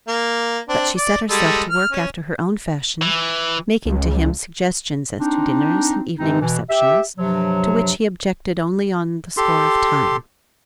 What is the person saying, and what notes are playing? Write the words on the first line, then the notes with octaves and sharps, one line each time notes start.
But she set herself to work after her own fashion, making to him suggestions as to dinners and evening receptions, to which he objected only on the score of time.
A#3
C4 D4
D5
G3 G#3 A4
F6
C#4
E3
C#2
C4 D4 D#4
G2 C3 E3 G#3 C4 D#4
B2 E3
G4 E5
G2 C3 F3 F#3
G4 A4 C6